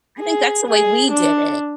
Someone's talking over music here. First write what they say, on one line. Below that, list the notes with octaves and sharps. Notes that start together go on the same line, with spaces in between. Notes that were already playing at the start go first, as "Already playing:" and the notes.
I think that's the way we did it.
G#4
G#4
D4